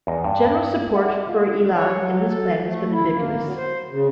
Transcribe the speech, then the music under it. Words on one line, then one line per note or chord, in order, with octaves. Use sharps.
General public support for Elon and his plan has been ambiguous.
E2 D#5
G2
D#5 E5 F#5
F4
C#5
F#3
A4
A3
E4
A#3
F#3
C5
C#3